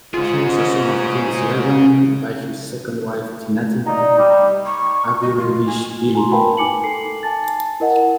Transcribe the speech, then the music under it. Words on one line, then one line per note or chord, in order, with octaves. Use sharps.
He was a son of Prince Levan by his second wife, Tinatin Avalishvili.
G#2 C#4 F4 G#4
D#4 D5 F5 A#5
G3 D#5
C#6
D#5
F4
G#5
G#5 A#5 C6
A#4 B4 F5 G5 A5 B5
D#4 G#5 D6 C#7 F#7
A4 C7 F#7
G#5 A5 A6
E4 A#4 D#5 F#5